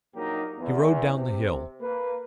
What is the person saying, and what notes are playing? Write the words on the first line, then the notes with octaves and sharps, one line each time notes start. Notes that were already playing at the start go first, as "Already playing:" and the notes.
He rode down the hill.
A#1 F#3 A#3 D#4 G4 A#4
E2
C3
A#3 B4